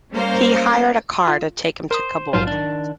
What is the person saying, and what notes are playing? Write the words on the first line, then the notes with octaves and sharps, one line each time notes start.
He hired a car to take him to Kabul.
G3 A#3 C#4 A#4 C5 F5
F4
A#4 C5 D#6
A#1 G#2 F#3 F4 C5 F5
D#3 D4